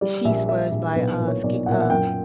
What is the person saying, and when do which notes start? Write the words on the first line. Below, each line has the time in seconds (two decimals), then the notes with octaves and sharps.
she swears by, uh, ski uh,
0.01 G3 D5
0.24 A#1 E5
0.48 G3 E5
0.72 A#1
0.95 B1 B4
1.12 B4
1.19 A#2
1.28 C#5
1.44 B1 D5
1.66 A#2 F#5
1.74 E5
1.81 F#5
1.90 F#2 G5